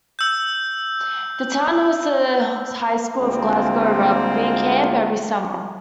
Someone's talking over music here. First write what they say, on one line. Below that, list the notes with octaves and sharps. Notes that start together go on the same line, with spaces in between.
The town hosts the High School of Glasgow rugby camp every summer.
E6 G6
D2 G#3 A#3 C4 F4